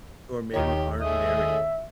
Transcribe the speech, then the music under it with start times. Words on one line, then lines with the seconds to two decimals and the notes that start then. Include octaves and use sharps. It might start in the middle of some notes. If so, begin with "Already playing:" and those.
or maybe aren't married.
0.54 D#2 D#3 D#4 G4 C#5
1.01 A3 G#4 D#5 E5